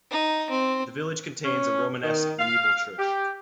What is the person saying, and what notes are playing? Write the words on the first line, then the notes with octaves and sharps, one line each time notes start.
The village contains a Romanesque medieval church.
D#4
C4
C#4
D#3
F5
G4